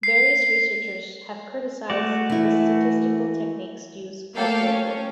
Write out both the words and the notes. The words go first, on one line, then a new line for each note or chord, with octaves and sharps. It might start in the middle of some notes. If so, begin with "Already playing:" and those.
Various researchers have criticized the statistical techniques used by Guilford.
C7
A3 F#4 D5
E3 E4
A3 A#3 A4 F5 G5
C#4